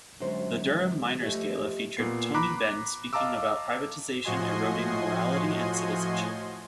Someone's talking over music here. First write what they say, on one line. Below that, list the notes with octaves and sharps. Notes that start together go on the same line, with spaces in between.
The Durham Miners' Gala featured Tony Benn speaking about privatisation eroding morality and citizenship.
F#2 D3 F#3 G#3 C5
F3 A3 G4 D#5
A#2 B3 C7
A#5 B5 D6 F#6
D#5 F5 A5 A#5 D6 E6
A2 F3 F#4 D#5 G#5 C6